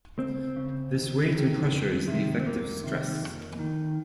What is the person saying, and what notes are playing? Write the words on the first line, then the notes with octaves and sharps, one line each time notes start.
This weight and pressure is the effective stress.
C#2 C4
C#3
D#2
D#3
F2
C3 D#3
C4
F2 A#3
C3 D#3
F2
D#3